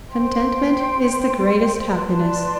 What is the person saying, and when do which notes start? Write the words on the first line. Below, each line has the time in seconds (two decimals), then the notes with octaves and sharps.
"Contentment is the greatest happiness."
0.09 C5 G5 C6
1.89 B4 D5 A5 C6